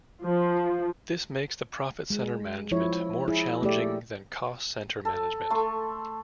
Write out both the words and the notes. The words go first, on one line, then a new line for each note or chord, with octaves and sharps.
This makes the profit center management more challenging than cost center management.
F3
G#3
F3 E4 C#5
E4 G#4
A3 G4 D5
A4
A3 C6 C#6